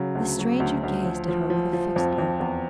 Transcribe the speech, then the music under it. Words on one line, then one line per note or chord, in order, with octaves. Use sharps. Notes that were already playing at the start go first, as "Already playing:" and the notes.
The stranger gazed at her with a fixed look.
Already playing: C#3 F#3
D2
F#3
D2
D2
F3
F3
F3
F3
F2
F2
E2